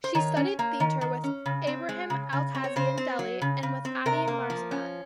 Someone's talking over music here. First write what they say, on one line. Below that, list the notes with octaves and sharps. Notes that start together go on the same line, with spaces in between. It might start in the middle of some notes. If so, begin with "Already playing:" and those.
She studied theatre with Ebrahim Alkazi in Delhi and with Adi Marzban.
C5
D#3 C#5
C#4
A#3
D#3
D#3
C#4
C#3
C4
G#3
C#3
C#3
C4
C#5
C#3 C5
C4
F#3
C#3
C#3
C4
C3 A#4
A#3
F3
C#4